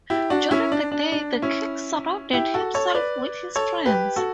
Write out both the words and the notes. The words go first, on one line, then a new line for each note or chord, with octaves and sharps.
During the day, the king surrounded himself with his friends.
E4 G4
D4 F#4
C#4 E4
D4
D4
D4
C#4 E4
E4 G4
F#4 A4
A4 C#5
B4 D5
A4 C#5
G4 B4
F#4 A4